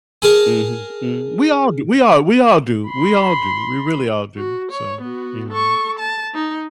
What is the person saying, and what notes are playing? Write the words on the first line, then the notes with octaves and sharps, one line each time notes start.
Mhm, mhm. We all do. We all we all do. We all do. We really all do, so, you know.
G#4 A#4 A5
B5 C6
F#4
C#5
B3 F#4
A4 C#6
A5
D#4